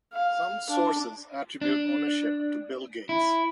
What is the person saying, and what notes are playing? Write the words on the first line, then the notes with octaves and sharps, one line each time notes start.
Some sources attribute ownership to Bill Gates.
F5
D4
D4
E4